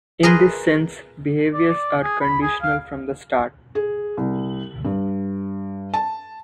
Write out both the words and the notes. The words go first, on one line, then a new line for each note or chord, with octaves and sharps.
In this sense behaviours are conditional from the start.
G#4 A#4 B4 C6
D5
D5
G#4
B5
G#4
F5
G#4
C2
G2
A5